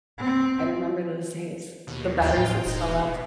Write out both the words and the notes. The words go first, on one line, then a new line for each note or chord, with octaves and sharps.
I remember those days. The batteries would swell up.
C4
D#2 B2
G#1 D#2 F4 G5
A2
E1 G#3 D#4
B2